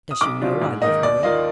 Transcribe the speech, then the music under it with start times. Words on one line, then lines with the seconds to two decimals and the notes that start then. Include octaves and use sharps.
Does she know I love her?
0.11 D#6
0.21 B1 D6
0.41 B2 F#3 D4 F4
0.62 G#2
0.82 D#3 A#3 D#4 D#5
1.03 D#2 D5
1.23 D#3 A#3 F4 D#5